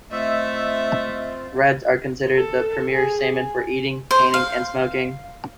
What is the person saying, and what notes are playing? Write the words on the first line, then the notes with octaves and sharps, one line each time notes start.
Reds are considered the premier salmon for eating, canning, and smoking.
A3 C4 F4 D#5 E5 E6
A4
G#4
C5
F5